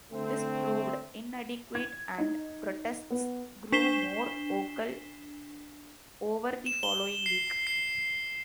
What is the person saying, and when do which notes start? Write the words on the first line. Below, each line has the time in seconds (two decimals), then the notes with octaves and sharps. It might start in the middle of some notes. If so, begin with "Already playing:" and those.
This proved inadequate and protests grew more vocal over the following week.
0.12 D3 A3 C4
1.75 G#6
2.18 D#4
3.10 B3
3.72 D4 B6 C7 E7 G7
6.66 E7
6.83 G7
7.26 C7
7.67 C7